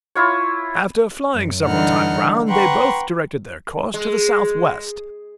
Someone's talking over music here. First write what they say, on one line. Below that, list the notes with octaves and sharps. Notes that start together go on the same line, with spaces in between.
After flying several times round, they both directed their course to the south-west.
E4 F4 C#5
F#2
D3 E3 G3 D#4 F#5 F6
B4 F#5 G5 A#5 C6 C#6
G#3